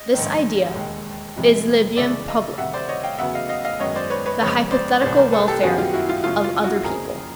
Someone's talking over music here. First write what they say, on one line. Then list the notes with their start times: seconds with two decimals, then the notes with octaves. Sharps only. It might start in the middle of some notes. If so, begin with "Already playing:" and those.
This idea is le bien public, the hypothetical welfare of other people.
Already playing: D#5
0.14 A#1 G#2 D#3
0.75 E1 D#2 D#3 G#3
1.36 F1 F2 C3 F3 G#3
1.97 C#2 C#3 E3 A3 D5 E5
2.28 D#5 F5
2.58 D2 C3 D#3 G3 E5 F#5
2.73 C5 D5
2.89 C#5 D#5
3.04 F5 G5
3.19 E2 C#3 F#3 B3 E5 F#5
3.34 D#5 F5
3.49 D#5 F5
3.65 D#5 F5
3.79 F#2 D#3 G#3 B3 C#5 D#5
3.95 C5 D5
4.10 B4 C#5
4.26 B4 C#5
4.41 F2 C#3 F3 G#3 B3 B4 C#5
4.71 C5 D5
5.01 C2 C3 E3 C5 D5
5.17 A#4 C5
5.32 A4 B4
5.48 G4 A4
5.62 F#2 D#3 G3 B3 F#4 G#4
5.78 F4 G4
5.93 E4 F#4
6.09 F4 G4
6.24 F#2 C#3 F#3 A3 F4
6.44 F4
6.64 E4 F#4
6.84 F2 C#3 F3 A#3 G#4 A#4